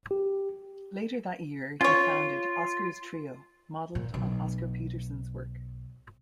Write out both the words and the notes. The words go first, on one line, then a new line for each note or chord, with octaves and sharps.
Later that year he founded "Oscar's Trio", modeled on Oscar Peterson's work.
G4
C#4 F4 C#5
A#2
B1